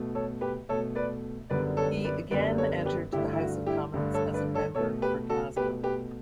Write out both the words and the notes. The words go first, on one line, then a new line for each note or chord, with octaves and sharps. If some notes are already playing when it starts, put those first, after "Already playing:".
He again entered the House of Commons as a Member for Glasgow.
Already playing: B2 A3
A4 C#5
G4 B4
B2 A3 A4 C#5
B4 D5
F#2 D3 G3 B3 B4 D5
A4 C#5
B4 D5
F#2 D3 G3 B3 B4 D5
A4 C#5
G4 B4
G2 D3 A3 E4 G4
E4
F#4
E4 G4
G2 D3 A3
A4 C#5
B4 D5
A4 C#5
B2 A3 A4 C#5
G4 B4
F#4 A4
B2 A3 G4 B4
G4 B4